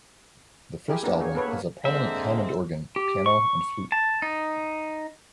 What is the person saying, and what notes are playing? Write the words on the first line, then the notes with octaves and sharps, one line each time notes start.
The first album has a prominent Hammond organ, piano and flute.
E4 G4 G#4
A#3 B3 D4 F#4
A#3 G#4 C#5
B3 A4 B4 C#5
A#3
D3 G#3 A#3 C4 E5
G4
C#6
A5
D#4